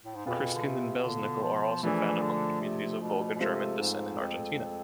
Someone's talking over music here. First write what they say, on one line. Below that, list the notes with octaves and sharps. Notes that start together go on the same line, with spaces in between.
Christkind and Belsnickel are also found among communities of Volga German descent in Argentina.
A2
G#2
F2 B2 B3 F4 G#4
D3
C3
C3
D3
F3
E3 F3 A3 D4 G#4 D5
D3
C3
B2
B2
C3 G#3 C4 F4 A4
G#2
F2